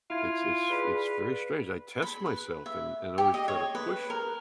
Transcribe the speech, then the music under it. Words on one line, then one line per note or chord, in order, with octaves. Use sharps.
It's it's it's very strange. I test myself and and always try to push
E4 F4 G#6
G#4 B4 D5 B5
B5
B4
E5
G4
D#5
C#5
B4
A#4